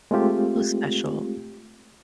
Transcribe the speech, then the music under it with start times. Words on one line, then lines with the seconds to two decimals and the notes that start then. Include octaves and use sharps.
How special.
0.11 G#3 A3 C4 F4 G4